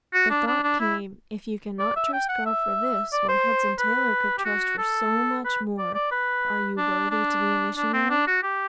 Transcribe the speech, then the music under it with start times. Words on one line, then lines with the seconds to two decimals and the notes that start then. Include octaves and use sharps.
The thought came--if you cannot trust God for this, when Hudson Taylor could trust for so much more, are you worthy to be a missionary?
0.13 F#4
0.30 D4
0.47 D4
0.64 D4
0.80 E4
1.79 D5
1.96 E5
2.13 G5
2.29 F#5
2.46 E5
3.13 D5
3.29 C5
3.79 B4
4.38 G4
4.45 F#4
4.78 A4
5.45 B4
5.78 D5
5.94 D5
6.11 B4
6.78 D4
7.11 D4
7.77 D4
7.93 C4
8.10 D4
8.27 F#4
8.43 G4